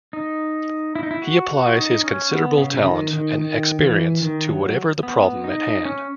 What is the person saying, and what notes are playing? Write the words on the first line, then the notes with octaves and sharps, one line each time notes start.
He applies his considerable talent and experience to whatever the problem at hand.
D#4
E4
D#4
E4
F#4
F#4
D#4
C#4
B3
C#3
C#3
D#3
D#3
D#3
E3
D#3
F#3
B3
D#4
C#4